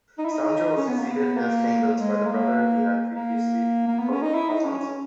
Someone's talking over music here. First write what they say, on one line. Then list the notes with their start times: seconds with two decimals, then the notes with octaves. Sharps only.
Sancho was succeeded in his kingdoms by the brother he had previously deposed, Alfonso.
0.18 D#4
0.25 E4
0.32 D#4
0.77 C#4
0.88 B3
0.99 A#3
1.08 B3
1.37 A#3
1.97 G#3
2.25 A#3
3.15 A#3
3.87 A#3
3.99 B3
4.11 C#4
4.22 D#4
4.34 E4
4.49 D#4
4.64 C#4
4.78 C#4